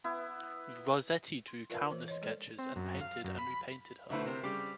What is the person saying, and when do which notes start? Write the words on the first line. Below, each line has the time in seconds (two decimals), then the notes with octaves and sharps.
Rossetti drew countless sketches and painted and repainted her.
0.04 B3 E4
1.48 C6
1.70 F4 A#4 B4 D5 E5 F5
1.90 E3 C5
2.08 C#5 D#5 C6
2.22 G#3 A4 C5 D5
2.59 C4
2.76 F#2
3.01 F5
3.24 F#2
3.38 B5
4.10 B1 D3 A3 E4 B4 C5
4.26 C3 A#4 C5
4.43 C#3 G3 G4 D6